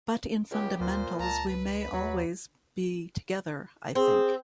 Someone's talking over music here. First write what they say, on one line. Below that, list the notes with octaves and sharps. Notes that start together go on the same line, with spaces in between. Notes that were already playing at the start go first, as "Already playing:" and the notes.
But in fundamentals we may always be together I think.
C#2 B3 G4
D2 A#2 C5
C#2 A5 A#5
B4 B5
D#2 F#3
C4 G#4